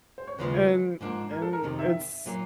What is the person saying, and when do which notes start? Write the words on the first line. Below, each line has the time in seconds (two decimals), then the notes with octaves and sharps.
and and it's
0.18 C5
0.27 C#5
0.39 D#2 C#3 F3 G#3 B4
1.01 G#2 F3 A#3 D4
1.32 A#4
1.42 A4
1.53 A#4
1.63 F2 C3 D#3
1.79 E5
2.26 A#2 F#3 A#3